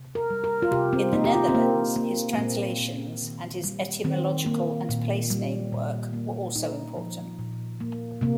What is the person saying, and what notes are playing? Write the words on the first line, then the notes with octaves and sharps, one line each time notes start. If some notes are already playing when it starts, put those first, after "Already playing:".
In the Netherlands his translations and his etymological and place-name work were also important.
Already playing: C3
A#4
G3
A#4
F4
C3 G4
C4
A#3 D#4
G4
F4
C4
A#3
A#3
A#3
A#2 C4
A#2
D#3
G3
D#3 C4
A#3
A#2
G3
A#2
A#3
A#2 D#4
F3
A#2
A#3
C3 A#3